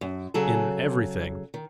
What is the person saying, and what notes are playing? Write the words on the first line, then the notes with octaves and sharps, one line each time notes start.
"In everything."
F#2
C#3 F#3 G#4 A4
D#3